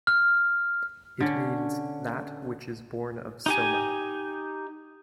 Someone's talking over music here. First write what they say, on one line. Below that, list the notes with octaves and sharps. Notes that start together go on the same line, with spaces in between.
It means "That which is born of Soma".
F6
D3 C#4
D#4 G4 G#5